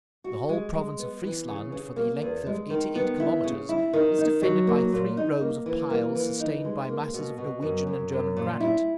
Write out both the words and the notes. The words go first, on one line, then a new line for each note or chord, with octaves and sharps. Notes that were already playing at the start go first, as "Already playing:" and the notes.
The whole province of Friesland, for the length of eighty-eight kilometres, is defended by three rows of piles sustained by masses of Norwegian and German granite.
F#4
G#3
G#3
B3
E3
C#3
C#3
A#3
E2
G#3
D#3
B3
E4
C#3
E4
D#3
D#4
F#3
A#3
A#2
D#4
A#3
E3
A#3
E3
D#4
G#3
A#3
B2
B2
F#2
F#2
F#2
A#2
E4